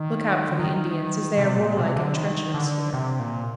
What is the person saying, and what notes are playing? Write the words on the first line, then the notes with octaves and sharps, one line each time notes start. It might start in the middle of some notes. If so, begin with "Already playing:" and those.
Look out for the Indians, as they are warlike and treacherous here.
Already playing: D#3
D3
D#3
C3
A#2
C3
D3
D#3
D3
C3
A#2